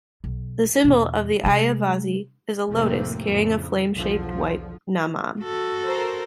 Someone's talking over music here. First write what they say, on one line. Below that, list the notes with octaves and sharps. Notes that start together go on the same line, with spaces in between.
The symbol of the Ayyavazhi is a lotus carrying a flame-shaped white 'Namam'.
B1
E2 B2
C3 G#3
F1 A2 C3 A3 A#3 C4
F2 A2 C#3
B1 E2 D3 F3
F#4 A4
A#4 C5